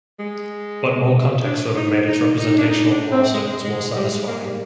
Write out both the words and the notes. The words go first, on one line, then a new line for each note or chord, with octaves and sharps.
But more context would have made its representational milestones more satisfying.
G#3
D4
D#4
D#4
D#4
D4
D#4
D4
C4
G#3
G#3
G3
G#3
A#3
G3